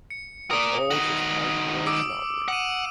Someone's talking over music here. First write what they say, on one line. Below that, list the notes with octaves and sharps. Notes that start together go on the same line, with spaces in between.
It's all just art world snobbery.
C#7
A#4 D5 D#6
D#3 F#4 F#7
D6 E6 D7
F#5 D6 D#7